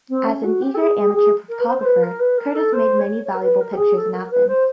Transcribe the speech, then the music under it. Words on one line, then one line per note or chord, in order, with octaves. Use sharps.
As an eager amateur photographer, Curtis made many valuable pictures in Athens.
C4
C#4
F#4
G4
A4
G#4
G#4
G4
G#4
A#4
B4
C5
C5
B4
A#4
B4
A#4
A4
C5
C#5
C#5
A#4
B4
A#4
G4
G#4
A4
A#4
B4
C5